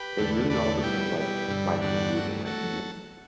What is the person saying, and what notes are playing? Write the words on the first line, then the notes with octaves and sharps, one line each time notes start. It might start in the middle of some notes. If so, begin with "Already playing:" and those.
it really all depends, like, my mood and, like w
Already playing: G4 B4
E2 D3 A3
E2 D3 A3 B4 D5
B2 G3 E4 G4
B2 G3
G2 D3 G3
E4
G2 D3 G3 D4 F#4
G2 F#3 A3
F#3 A3 F#4 A4